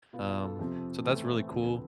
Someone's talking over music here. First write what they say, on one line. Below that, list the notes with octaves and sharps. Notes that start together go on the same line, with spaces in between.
um, so that's really cool
B2 B3 F4
F4
A4
F2 C3 F3 C4
A2 E3 A3 C4
D2 D3 F3 C4
B4